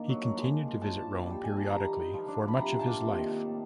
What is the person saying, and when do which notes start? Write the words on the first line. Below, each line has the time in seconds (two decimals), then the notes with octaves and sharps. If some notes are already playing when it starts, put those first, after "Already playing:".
He continued to visit Rome periodically for much of his life.
Already playing: D#3 A#3 D4
0.09 F#3
0.23 F#3
0.38 G#3
0.53 F3
0.68 F3
0.82 F#3 A5
0.97 D4
1.11 A#2
1.25 G3 G5
1.41 G3 G#5
1.55 E3 A5
1.70 G3 A#5
1.84 D#3
1.99 D#4
2.14 F3
2.28 D4
2.43 F3
2.48 B5
2.57 C3 A#5
2.72 C3
2.79 A5
2.87 A#3
3.01 C3
3.16 D#3
3.30 D#3
3.45 A2